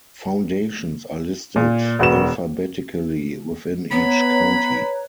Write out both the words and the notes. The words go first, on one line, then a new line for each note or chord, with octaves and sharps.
Foundations are listed alphabetically within each county.
A#2
E1 F#4 B4 E7
B3 B4 C#5 A#5 B5